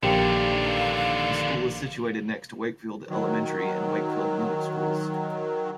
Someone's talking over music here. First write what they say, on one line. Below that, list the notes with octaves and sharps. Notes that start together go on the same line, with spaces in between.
The school is situated next to Wakefield Elementary and Wakefield Middle schools.
A#1 D3 D#3 G4 F5
D#3 F#3